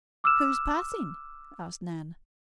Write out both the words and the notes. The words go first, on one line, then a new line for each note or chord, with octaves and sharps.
"Who is passing?" asked Nan.
D6 E6 F6 E7